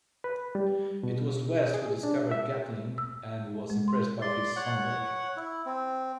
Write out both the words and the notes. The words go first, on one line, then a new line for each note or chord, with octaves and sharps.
It was West who discovered Gatlin and was impressed by his songwriting.
B4
G3
B2
G#4
D4
E5
E6
G#3
C6
D5 C6
C#5 F#5
E4
C4